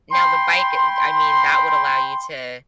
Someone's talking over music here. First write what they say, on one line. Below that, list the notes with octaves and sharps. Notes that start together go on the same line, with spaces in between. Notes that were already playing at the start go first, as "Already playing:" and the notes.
Now, the bike, eh eh d I mean, that would allow you to
G5 B5 C6